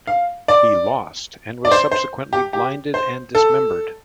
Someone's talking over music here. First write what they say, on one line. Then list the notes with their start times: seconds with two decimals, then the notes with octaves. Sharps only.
He lost and was subsequently blinded and dismembered.
0.07 F5
0.48 D5
1.65 D5
1.71 C5
1.92 C5
2.33 G4
2.53 G4
2.94 C5
3.35 A4